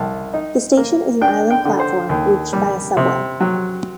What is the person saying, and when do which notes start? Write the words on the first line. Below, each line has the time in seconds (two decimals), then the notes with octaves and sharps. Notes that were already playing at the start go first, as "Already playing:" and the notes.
The station is an island platform reached by a subway.
Already playing: C2 A5
0.34 D#4
0.77 A#3
1.21 D4 G5
1.50 G5
1.65 D3
1.80 C5
2.09 D#2
2.53 G3
2.97 C3
3.40 F#3